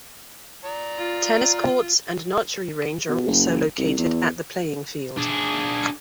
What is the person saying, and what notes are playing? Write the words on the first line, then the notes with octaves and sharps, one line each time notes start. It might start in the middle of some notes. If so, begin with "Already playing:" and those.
Tennis courts and an archery range are also located at the playing field.
D5 A#5
F4
B2
F#1
C2
E2
D4 G#4